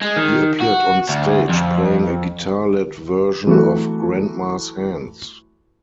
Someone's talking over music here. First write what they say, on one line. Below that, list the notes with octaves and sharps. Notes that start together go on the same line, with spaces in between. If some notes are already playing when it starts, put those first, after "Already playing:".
He appeared on stage playing a guitar-led version of Grandma's Hands.
G#3
D#3
F#4
D2
F2
E3 F#3 A3 F#4